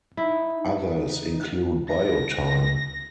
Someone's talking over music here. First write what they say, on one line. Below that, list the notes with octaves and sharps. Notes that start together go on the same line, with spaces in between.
Others include BioTime.
D#4 E4
A#6